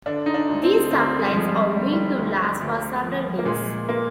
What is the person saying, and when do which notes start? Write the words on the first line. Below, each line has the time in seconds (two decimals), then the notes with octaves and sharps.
These supplies are meant to last for several days.
0.06 D3 D4
0.26 D#4
0.34 D4
0.49 D2
0.63 C4
0.91 D2 C4
1.19 G#3
1.27 G3
1.33 F3 G#3
1.48 G3
1.76 D3 G3
1.92 G3
2.18 D2
2.61 D2
3.03 F3
3.38 A#3
3.45 A#2 G#3
3.89 A#3